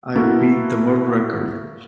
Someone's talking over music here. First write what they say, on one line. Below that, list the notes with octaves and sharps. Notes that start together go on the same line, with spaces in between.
I beat the world record!
A#3 B3 E4 F#4 A4